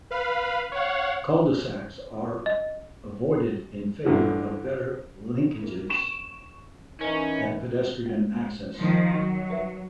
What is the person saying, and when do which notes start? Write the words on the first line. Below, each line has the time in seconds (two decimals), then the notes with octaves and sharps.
Cul-de-sacs were avoided in favour of better linkages and pedestrian access.
0.11 B4 F5 B5
0.72 C#5 F5 F#5
2.46 D#5
4.05 G2 D3 E3
5.59 A#3 E4
5.89 C#6 D7 E7 F#7
7.01 E3 C#4 D#4 A#4
8.06 G#3 A3
8.78 D#3 F3
9.13 F#3
9.50 A#4 B4 E5